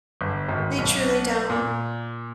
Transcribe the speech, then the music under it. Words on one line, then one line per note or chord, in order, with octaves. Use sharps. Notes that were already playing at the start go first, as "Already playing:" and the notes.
They truly don't.
G1
G#1
B1
A#2